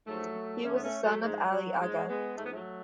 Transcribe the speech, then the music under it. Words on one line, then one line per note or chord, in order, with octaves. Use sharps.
He was the son of Ali Aga.
G#2 F3 F#3 A3
G#2 F3 A3 C#4
B3
A3 C#4
F#3 A3
G#2 F3 G#3
F#3
G#2 F3 G#3
G#3 B3
G#2 F3 A3
B3
F#3 A3